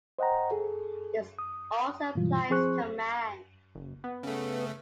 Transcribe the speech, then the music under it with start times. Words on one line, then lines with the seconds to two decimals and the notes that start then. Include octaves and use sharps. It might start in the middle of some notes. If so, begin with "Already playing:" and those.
This also applies to man.
0.19 C5 D#5 F#5 G5 A#5
0.51 G#4 A4
1.39 D#6
2.15 G2 B2 E3 F#3 G3 F4
2.50 F3 C4 G#4 C5 C#6 F#6
3.75 F#1
4.04 B3
4.23 C#3 A3